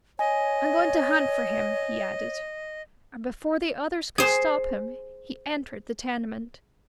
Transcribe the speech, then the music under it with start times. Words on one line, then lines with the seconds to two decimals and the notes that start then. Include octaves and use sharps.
"I'm going to hunt for him," he added, and before the others could stop him he entered the tenement.
0.19 C#5 D#5 G#5
4.18 G#4 C5